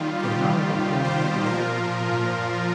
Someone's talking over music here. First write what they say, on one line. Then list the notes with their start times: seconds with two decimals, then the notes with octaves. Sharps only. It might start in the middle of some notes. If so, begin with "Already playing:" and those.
So now Pahom had land of his own.
Already playing: D#2 D#3 G3 F4
0.23 G4
1.04 G4 C5
1.45 A#2 F3 F4 A#4